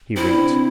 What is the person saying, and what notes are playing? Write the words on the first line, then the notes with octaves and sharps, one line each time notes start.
He winked.
C4 E4
D4
C3 C4